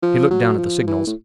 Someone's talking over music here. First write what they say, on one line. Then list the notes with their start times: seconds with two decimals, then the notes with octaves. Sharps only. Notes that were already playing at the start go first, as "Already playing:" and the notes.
He looked down at the signals.
0.02 F3
0.31 F#3
0.58 F3
0.87 E3
1.07 A2